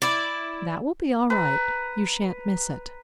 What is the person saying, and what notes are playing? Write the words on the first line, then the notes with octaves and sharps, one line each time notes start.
That will be all right; you shan't miss it.
E4 D5
B4 A#5